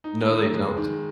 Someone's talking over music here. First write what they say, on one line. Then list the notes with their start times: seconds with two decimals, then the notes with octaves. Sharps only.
No, they don't.
0.04 D#4
0.28 D#3
0.53 G#3
0.77 D#3